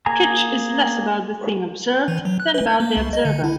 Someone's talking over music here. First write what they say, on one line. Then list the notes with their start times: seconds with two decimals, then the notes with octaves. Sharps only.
Kitsch is less about the thing observed than about the observer.
0.06 A#3 G#4 G#5 A#5 D#6
2.08 E3
2.25 F#3
2.40 F#6
2.54 B4
2.67 G#6
2.80 A#3
2.97 C2
3.13 D#5
3.25 D3
3.44 E4